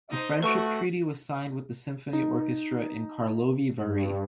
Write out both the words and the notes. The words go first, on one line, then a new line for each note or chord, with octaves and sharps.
A friendship treaty was signed with the symphony orchestra in Karlovy Vary.
D#4 C5
A3 F#4 B4 A5 C#6
D#4
G2